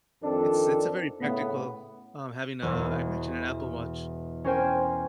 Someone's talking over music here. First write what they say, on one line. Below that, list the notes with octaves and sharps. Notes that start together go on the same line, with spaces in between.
It's it's a very practical um, having a, I imagine, an Apple Watch.
F2 D#3 C4 D4 A4
A2 C#3 B3
E1 E2
C#4 A#4 C5 G5 G#5